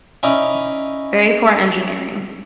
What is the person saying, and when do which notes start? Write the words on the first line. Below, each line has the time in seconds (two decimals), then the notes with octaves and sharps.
Very poor Engineering.
0.23 C#4 D#4 E4 D5